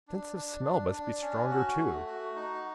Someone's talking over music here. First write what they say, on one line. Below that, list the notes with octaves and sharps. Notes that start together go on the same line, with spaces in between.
Sense of smell must be stronger too.
D4
D4
D4
D4
C#4
F#4
A3
F#4
D#4